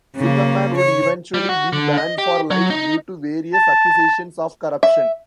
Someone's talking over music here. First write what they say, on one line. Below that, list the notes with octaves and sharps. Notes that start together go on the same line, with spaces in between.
Zimmerman would eventually be banned for life due to various accusations of corruption.
C#3 A#3
C#5
G3
F#4
D3
D#5
G4
F#3
D#4
A5
E5